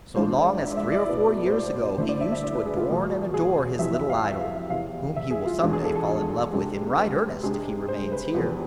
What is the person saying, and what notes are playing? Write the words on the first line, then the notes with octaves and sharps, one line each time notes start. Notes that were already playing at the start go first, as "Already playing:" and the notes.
So long as three or four years ago he used to adorn and adore his little idol, whom he will some day fall in love with in right earnest if he remains here.
G#2 E3 G#3 D4 F4 C5
D5
E5
D5
E5
D5
B2 B3 E4
C5
D5
D3 A3 E4 C5
D5
E5
E5
D5
B4
G#4
F4
E2 B2 A3
G#4
F2 C3 E3 E5
E5
F5
E5
F5
E5
E2 C3 E3 F5
E5
G#4
F4
E2 B2 G#3 D4 F4 G#4
G#4
A4
A4
C3 G#3 D4
B4
C3 G#3 D4 G#4
C5
B4
E2 C3 F3 B3